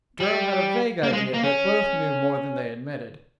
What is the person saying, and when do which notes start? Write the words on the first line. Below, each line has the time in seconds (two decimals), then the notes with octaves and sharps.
Durham had a vague idea that both knew more than they admitted.
0.20 G3
1.03 A#3
1.13 G#3
1.34 A#3
1.44 C#4